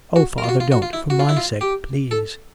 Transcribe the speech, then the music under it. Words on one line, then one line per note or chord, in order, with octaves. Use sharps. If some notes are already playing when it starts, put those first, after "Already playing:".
'Oh, father, don't, for my sake, please.'
F#4
A#4
F4
F#4
F4
F#4
F4
E4
F#4
F4
E4
F4
G4
A4